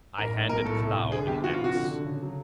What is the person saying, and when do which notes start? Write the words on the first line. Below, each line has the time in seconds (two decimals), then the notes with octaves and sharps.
I handed Klow an ax.
0.18 A1 A#4
0.33 G#2
0.49 B1 A#4
0.64 A2 A4
0.80 C2
0.96 C2
1.11 D3 G#4
1.27 G1 G4
1.44 F3 F#4
1.53 F4
1.59 C3
1.64 F#4
1.74 D3
1.91 D3
2.06 C#3
2.22 F#3